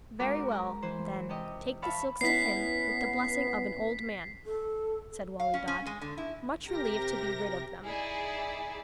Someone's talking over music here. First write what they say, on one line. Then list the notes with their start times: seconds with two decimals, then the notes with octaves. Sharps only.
'Very well, then, take the silks to him, with the blessing of an old man,' said Wali Dad, much relieved to be rid of them.
0.19 G#2 C4 C#4 F#4 A#4 D6
0.50 C#4 A#5
0.82 E3 C5
1.29 C3 G4 D#5
1.82 E5 F5 A5 B5 C#6 F6
2.21 B3 C#4 E4 B6 C7
4.45 A4
5.40 F5
5.54 C#4
5.68 C#4
5.86 G#3
6.01 D3
6.18 E4
6.68 C3 G4 A#4 A#6
7.83 D#4 E4 G#4 D5